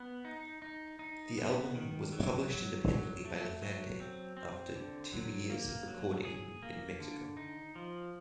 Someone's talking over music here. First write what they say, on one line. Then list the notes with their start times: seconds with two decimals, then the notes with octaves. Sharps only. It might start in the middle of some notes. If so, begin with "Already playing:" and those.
The album was publish independently by Laferte after two years of recording in Mexico.
Already playing: B3
0.25 D#4
0.62 D#4
0.99 D#4
1.38 B3
1.75 D#3
2.12 F#3
2.50 F#3
2.88 F#3
3.25 A3
3.62 F#3
4.00 C4
4.37 C4
4.75 D3
5.13 F#3
5.50 A#3
5.88 F#3
6.25 G#4
6.63 A#3
7.00 D3
7.37 D#4
7.75 F3